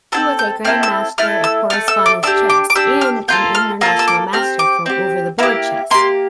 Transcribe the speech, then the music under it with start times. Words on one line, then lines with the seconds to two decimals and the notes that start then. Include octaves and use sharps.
He was a Grandmaster of Correspondence Chess and an International Master for over-the-board chess.
0.12 C4 E4 A4 E6
0.39 G6
0.65 C4 E4 A4 F6
0.83 E6
1.18 A3 E4 A4 F6
1.44 E6
1.70 A3 E4 A4 F6
1.88 E6
2.06 D6
2.23 D4 E6
2.27 G4
2.50 D6
2.70 D6
2.75 D4 G4 E6
3.01 F6
3.28 A#3 F4 A4 G6
3.55 F6
3.81 A#3 F4 A4 E6
3.99 E6
4.08 D6
4.33 C4 G4 F6
4.59 D6
4.86 C4 G4
5.39 A#3 E4 G4 E6
5.91 A#3 E4 G4 C6